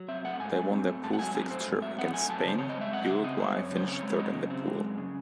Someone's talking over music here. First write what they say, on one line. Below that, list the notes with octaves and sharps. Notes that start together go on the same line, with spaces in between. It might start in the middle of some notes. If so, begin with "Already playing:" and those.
They won their pool fixture against Spain, Uruguay finished third in their pool.
Already playing: F#3
C4 E5
A3 F#5
G#2 G#5
F#3
C4
A3
G#2 A5
F#5
F#3 G#5
C4 G#5
A3 C5
G#2
F#3 E5
C4 F#5
A3 G#5
F#2 A5
C#3 C5
C4 C#5
D#5
G#3 E5
F#2 F#5
D#5
C#3 E5
C4 D#5
G#3 C5
F#2 C#5
C#3 C5
C4 C#5
G#3
F#2 D#5
C#3
C4
G#3
F#2
C#3